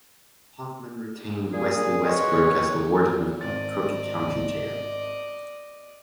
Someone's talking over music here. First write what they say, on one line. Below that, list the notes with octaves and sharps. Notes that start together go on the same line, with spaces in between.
Hoffman retained Wesley Westbrook as the warden of Cook County Jail.
A#2 G#4
G#3 F#4 B4 C#5
G#1 D5 D#5 A6